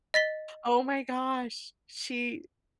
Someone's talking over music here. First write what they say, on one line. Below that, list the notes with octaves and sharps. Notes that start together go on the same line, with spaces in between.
Oh my gosh, she
D#5 A6 B6 G7